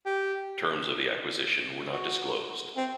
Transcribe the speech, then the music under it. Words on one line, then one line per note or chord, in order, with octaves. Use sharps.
Terms of the acquisition were not disclosed.
G4
F#4
C4